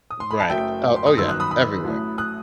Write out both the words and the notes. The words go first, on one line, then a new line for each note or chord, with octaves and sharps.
Right, oh oh yeah, everywhere.
D#6
C6
B5
A5
F#1 F#2 F#3 A3 E5 G5
C6
D#6
G1 F#2 D#3 C6 E6
D#6 F#6
B5 D#6
B5 D#6
A1 A2 F#3 A3
D#6 F#6